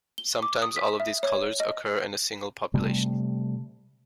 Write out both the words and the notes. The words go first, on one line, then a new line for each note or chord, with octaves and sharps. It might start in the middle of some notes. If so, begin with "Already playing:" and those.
Sometimes all of these colors occur in a single population.
G7
D6
D#6
B6
E5
C#5
D#5
C3 G3 A3